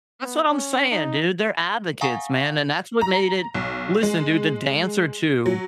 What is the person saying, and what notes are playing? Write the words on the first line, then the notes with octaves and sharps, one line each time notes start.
That's what I'm saying, dude. They're advocates, man. And that's what made it listen, dude, the dancer too,
B3
C#4
D#4
F5 F#5 G#5 A#5 C#6 D#6
A#5
B1
G#3
F#3